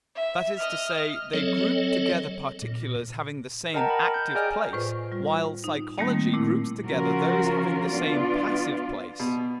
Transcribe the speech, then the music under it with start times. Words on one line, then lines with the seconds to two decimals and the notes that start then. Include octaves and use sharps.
That is to say, they group together particulars having the same "active" place, while psychology groups together those having the same "passive" place.
0.16 E5
0.58 D#5 F6
1.34 F#3 C4 A4 C#5 D#5
2.62 A#2
3.74 A#4 D#5 F#5 G5 A5 A#5
3.90 B5
4.14 G6
4.35 G#4 D5 D#5 G5 G#5 F6
4.73 A2 F4 B4 C5
5.12 G3 F4
5.64 D#4
5.98 D#3 G3 A3 A#3 C4 D#4
6.34 A#2 A3 C4 E4
6.87 C#3 F3 C#4 F4 F#4 A#4
7.88 B3 D4 F4 D5
9.20 B2